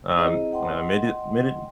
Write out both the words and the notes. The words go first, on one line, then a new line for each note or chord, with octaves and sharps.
um, uh, made it made it
C4 E4 G#4 C5 D#5 A#5
D#5 F#5 G5 C6